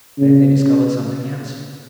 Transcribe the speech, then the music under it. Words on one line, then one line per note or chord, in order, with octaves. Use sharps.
Then they discovered something else.
C#3